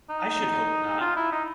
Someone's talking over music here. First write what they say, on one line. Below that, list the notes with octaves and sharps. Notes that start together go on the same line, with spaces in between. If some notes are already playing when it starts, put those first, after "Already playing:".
I should hope not!
D#4
F4
E4
D#4